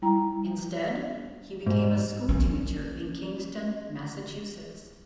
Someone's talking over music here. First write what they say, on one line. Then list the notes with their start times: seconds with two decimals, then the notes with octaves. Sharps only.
Instead, he became a school teacher in Kingston, Massachusetts.
0.02 G3 E4 G5 A#5
1.66 G#2
2.29 A#3 C#4